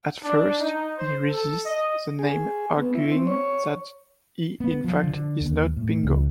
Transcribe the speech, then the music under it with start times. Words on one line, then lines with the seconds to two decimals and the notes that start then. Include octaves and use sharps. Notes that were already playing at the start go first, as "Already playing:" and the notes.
At first he resists the name, arguing that he, in fact, is not Bingo.
0.23 D4
0.59 D#4
0.97 C5
1.29 A4
1.65 D#5
2.19 G#4
2.77 B3
2.95 E4
3.12 C4
3.27 C#5
4.60 B3
4.84 F3
5.04 D3
5.40 D#2
5.76 A2
6.03 C#2